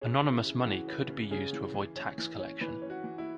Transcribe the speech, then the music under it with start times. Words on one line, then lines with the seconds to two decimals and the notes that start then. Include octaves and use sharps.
Anonymous money could be used to avoid tax collection.
0.01 C#4 G#4
0.23 C#3
0.30 E4
0.45 C#3
0.59 F#4
0.66 E3
0.88 C#4 B4
1.09 C#3
1.31 C#3 G#4
1.53 E3
1.74 E3
1.96 C#4
2.18 E3
2.39 C#4
2.61 E3 B4
2.82 C#4
2.90 F#4
3.04 E3
3.18 E4